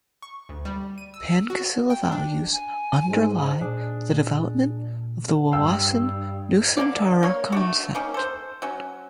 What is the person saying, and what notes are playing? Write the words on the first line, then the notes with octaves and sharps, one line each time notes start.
Pancasila values underlie the development of the wawasan nusantara concept.
C#6
D2
G3
D#7
E6
F#4
G5
D4
G#5
G#2
A#2 D4 G#4
G2 F5 G5 E6
D3 A#3 C#4 D5
A#3 C#5
A3 D4 F#4
D#3 A#3 C#4
A4 C5
F#3 C#4